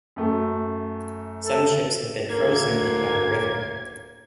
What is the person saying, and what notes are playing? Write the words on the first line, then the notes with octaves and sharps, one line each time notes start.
Some ships have been frozen in by the river.
F#2 A3
A4
D2 A#3 G#6